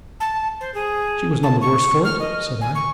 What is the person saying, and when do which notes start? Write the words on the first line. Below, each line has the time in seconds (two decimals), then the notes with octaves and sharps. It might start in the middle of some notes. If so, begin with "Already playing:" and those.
"She was none the worse for it," said I.
0.20 A5
0.61 C5
0.74 G#4
1.43 A5
1.61 C#6
2.04 F6
2.19 D#5
2.61 G#5
2.75 C#6